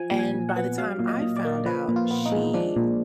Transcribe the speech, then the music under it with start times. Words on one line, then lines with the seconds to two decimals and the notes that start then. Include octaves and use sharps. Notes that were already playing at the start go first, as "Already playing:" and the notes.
And by the time I found out she
Already playing: F3 G#5
0.11 A#2
0.19 G#5
0.34 A#2
0.49 F#5
0.56 B3
0.78 F#3 F5
1.00 A#2
1.07 D#5
1.22 A#2
1.36 D5
1.45 A#3
1.66 F3 B4
1.88 A#2
1.96 F4
2.11 B3
2.26 D#4
2.32 G#3
2.54 F3 D4
2.76 A#2